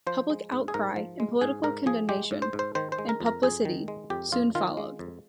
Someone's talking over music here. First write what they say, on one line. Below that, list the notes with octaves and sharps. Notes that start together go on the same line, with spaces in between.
Public outcry and political condemnation, and publicity soon followed.
F3 C5
G#3
G#2
G#4
G#2 A#4
F3
G#3
G#2 G#4
G#2 A#4
F3 G#4
G#3 G4
G#2
C5
G#2
C5
D#3 C5
C5
G#3
A#4
F2
A#4
F2 G#4
D#3
G#3
F2 G4
F2 F4
D#3 F4
G#3
F2